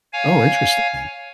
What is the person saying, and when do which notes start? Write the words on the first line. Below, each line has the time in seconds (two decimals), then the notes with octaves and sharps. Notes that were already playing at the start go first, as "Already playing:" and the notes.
Oh, interesting.
0.13 C#5 F5 G#5